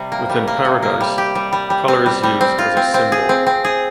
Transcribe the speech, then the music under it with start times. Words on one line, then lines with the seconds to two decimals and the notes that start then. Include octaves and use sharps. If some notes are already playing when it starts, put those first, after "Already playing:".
Within Paradise, color is used as a symbol.
Already playing: C3 G3
0.12 A#3
0.30 G3
0.48 A#3
0.65 C3
0.83 A#3
1.01 G3
1.18 G4
1.35 G3
1.53 G3
1.70 G3
1.88 C4
2.06 G3
2.23 G3
2.41 C4
2.59 F4
2.77 C4
2.94 C4
3.12 G#4
3.29 C4
3.47 C4
3.64 G#4